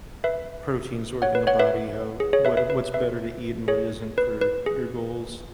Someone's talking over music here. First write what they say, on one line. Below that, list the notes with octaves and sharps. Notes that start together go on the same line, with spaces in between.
proteins work in the body, how what what's better to eat and what isn't for your goals,
B4 E5
C#5 F#5
B4
C#5 F#5
B4 E5
G#4
G#4 C#5
B4 E5
B4 E5
B4
B4 E5
G#4 C#5
B4
B4
G#4